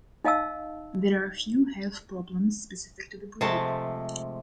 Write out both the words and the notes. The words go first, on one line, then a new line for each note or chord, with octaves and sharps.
There are few health problems specific to the breed.
D#4 D#5 F5 A5 E6
C3 F3 G#3 A3 A5